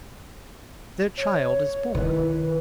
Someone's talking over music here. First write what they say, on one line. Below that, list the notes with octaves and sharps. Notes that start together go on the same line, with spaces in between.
Their child is born.
C#5
D#3 E4 B4